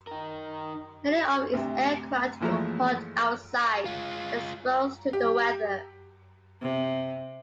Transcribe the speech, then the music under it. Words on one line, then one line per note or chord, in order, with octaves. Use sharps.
Many of its aircraft were parked outside and exposed to the weather.
D#4 A#4
D2 C3
A#2 E3 F3 G#3 A3 A#5
G#3 F4
G4
C3